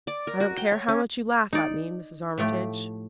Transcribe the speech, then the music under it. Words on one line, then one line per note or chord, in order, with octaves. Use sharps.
"I don't care how much you laugh at me, Mrs. Armitage."
D5
A#4
F#4
G5
C#5
C#4
D#4 D5
A2 F3 A3 G4